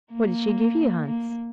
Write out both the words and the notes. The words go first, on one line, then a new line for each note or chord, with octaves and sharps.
'What did she give you, Hans?'
A#3
A#3